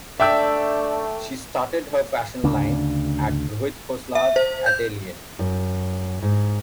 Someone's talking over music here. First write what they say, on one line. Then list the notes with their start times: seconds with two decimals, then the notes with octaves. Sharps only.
She started her fashion line at Rohit Khosla’s atelier.
0.20 A3 D4 D5 E5 G5 E6
2.44 D2 C#3 D4
4.15 E5
4.36 C5
4.66 G6
5.39 F#2
6.22 G#2